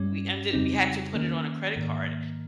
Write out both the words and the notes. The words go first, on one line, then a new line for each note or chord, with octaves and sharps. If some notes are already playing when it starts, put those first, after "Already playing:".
we ended we had to put it on a credit card,
Already playing: G2 G3 C#4
F2 C#3 G3 C4 D#4
D#3 A#3 C#4
G#2 D#3 A#3